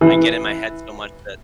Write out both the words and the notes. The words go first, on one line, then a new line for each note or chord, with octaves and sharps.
I get in my head so much that
E3